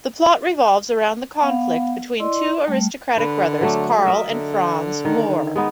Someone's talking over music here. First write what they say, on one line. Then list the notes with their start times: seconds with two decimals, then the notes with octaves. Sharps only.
The plot revolves around the conflict between two aristocratic brothers, Karl and Franz Moor.
1.42 B3 F5 F#5
2.20 E4 D5 D#5 C6
2.67 G3 A3
3.18 D3 B4
3.61 F#3 A3 D4
4.05 A#4 D#5 E5
4.31 D3
5.05 D#3
5.56 G#3 B3 D#4